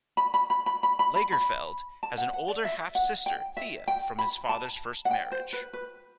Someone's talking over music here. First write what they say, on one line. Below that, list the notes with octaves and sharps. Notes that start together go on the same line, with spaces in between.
Lagerfeld has an older half-sister, Thea, from his father's first marriage.
B5
B5
B5
B5
B5
B5
B5
B5
A5
F#5
F#5
D5
E5
F#5
G5
E5
G5
B5
A5
F#5
G5
C5
B4
B4